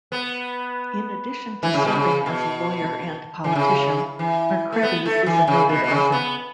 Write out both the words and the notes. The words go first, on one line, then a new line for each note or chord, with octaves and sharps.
In addition to serving as a lawyer and politician, Mercredi is a noted author.
B3
E3
C#3
B2
C#3
B2
E3
C#3
E3
A3
B3
A3
E3
C#3
B2
B2
C#3
B3